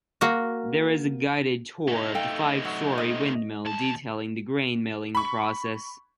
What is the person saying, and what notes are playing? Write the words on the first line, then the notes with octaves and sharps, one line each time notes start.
There is a guided tour of the five-storey windmill detailing the grain milling process.
A#3 F#4
A3 D#4
A4 F5 G5
F#3
D#5
D#2 A5
B5 C#6